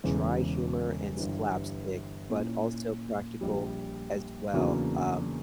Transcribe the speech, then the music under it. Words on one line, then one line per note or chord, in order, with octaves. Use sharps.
dry humor, and slapstick, but also practical as well, um,
E1 E2 C#3
G1 G2 E3 G3
A#2 A#3 C#4 E4
A#1 A#2 G3
E2 C#3 F#3 A#3 D4